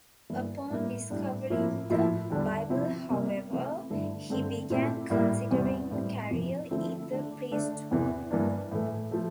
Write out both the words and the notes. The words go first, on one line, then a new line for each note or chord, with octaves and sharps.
Upon discovering the Bible however, he began considering a career in the priesthood.
G2 E3 A#3 E4
A2 G3 A#3 E4
A2 G3 D4
A2 F3 A#3 E4
A2 F3 A#3 E4
E2 D3 G3 D4
C3 F3 C4 E4
C3 G3 A#3
C3 E3 A3 C4 E4
G2 D3 A3 E4
G2 D3 A3 C4
A#2 A3 C4 E4
A2 G3 A#3 E4
E2 C3 G3 C4
A2 G3 C4
F2 C3 E3
D3 F3 A3 C4 E4
D3 A3 D4
D3 A3 D4
E2 C3 E3
G2 E3 A#3 D4
A2 E3 A3
F3 A3